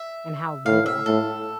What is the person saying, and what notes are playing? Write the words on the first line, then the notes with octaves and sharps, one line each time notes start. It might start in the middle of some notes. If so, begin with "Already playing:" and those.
And how little.
Already playing: E5
A2 F5
E5
A2 A4